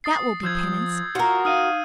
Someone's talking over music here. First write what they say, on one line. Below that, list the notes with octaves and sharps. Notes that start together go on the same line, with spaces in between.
THAT will be penance.
D#6 A6 C7
F3 E6 G6 G#6
F4 F#4 A#4
D#4 F5 D#6 F6 D#7